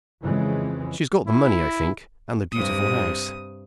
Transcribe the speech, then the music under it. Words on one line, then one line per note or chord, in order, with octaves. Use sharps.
"She has got the money, I think--and the beautiful house."
F2 C#3 E3 G#3 C4
E4
G2 C3 D#6